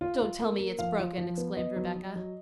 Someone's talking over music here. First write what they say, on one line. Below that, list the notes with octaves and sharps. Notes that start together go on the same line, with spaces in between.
"Don't tell me it's broken," exclaimed Rebecca.
F4
F4
A#3
A#3
F3 F5
F4
F3
B3
B3 D#5
F#3
F#3
F#3